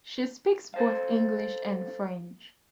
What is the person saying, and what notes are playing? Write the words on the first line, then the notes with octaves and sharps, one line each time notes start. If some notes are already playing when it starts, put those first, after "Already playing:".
She speaks both English and French.
A4 C5 F5